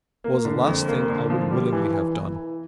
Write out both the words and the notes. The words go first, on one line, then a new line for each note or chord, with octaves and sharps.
It was the last thing I would willingly have done.
A#3
D3
F2
A#3
D3
F3
G3
E3
E3
E3
E3